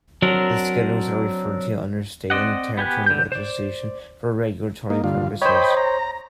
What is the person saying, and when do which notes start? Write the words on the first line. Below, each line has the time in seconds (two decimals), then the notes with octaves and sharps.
The Schedules are referred to under State and Territory legislation for regulatory purposes.
0.22 F#3 C4 D4 A#4
2.30 C4 D5 D#5 F#5
2.77 B3 G4 G#5 F#6
3.06 D3 G6
3.32 C5 D5
4.90 A#3 D#4
5.04 G2 D3 F4
5.42 C5 C#5 D#5 G5 B5
5.77 A#5